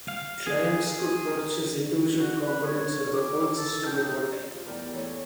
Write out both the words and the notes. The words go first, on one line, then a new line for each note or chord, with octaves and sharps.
Clients could purchase individual components or the whole system at one time.
F5
G#4
F#4
B4
C#5
D6
A4
G5
D#4
F4
E2 A2 G3 A#4 D5 G5
E3 A3 A4 C#5